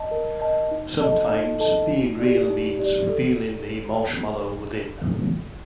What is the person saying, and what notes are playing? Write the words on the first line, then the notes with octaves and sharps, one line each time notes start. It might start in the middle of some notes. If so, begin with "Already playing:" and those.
Sometimes being real means revealing the marshmallow within.
Already playing: D#5 A5
A#4
D#5 A5
D#4
A4 D#5 A5
D#4
A4 D#5 A5
D#4
G4 D5
D#4
G4 D5
A4